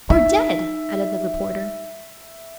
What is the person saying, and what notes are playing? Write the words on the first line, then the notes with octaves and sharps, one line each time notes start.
"Or dead!" added the reporter.
D#4 E5